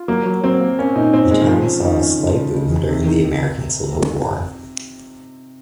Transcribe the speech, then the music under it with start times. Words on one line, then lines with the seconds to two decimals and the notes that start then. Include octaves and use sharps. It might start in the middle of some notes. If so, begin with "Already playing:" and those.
The town saw a slight boom during the American Civil War.
Already playing: F4
0.08 F#3 A#3
0.26 F#3
0.43 F#3 C4
0.60 A#3
0.79 A#3 C#4
0.96 A#2 D#4
1.14 A#2 C4
1.31 A#2 G#3
1.41 D#3
1.48 F3 G#4
1.66 C#4
1.83 D#3 C#4
2.01 C#4
2.18 C#3
2.37 C#3
2.54 C#3
2.72 G#4
2.89 C3 D#3
3.06 D#3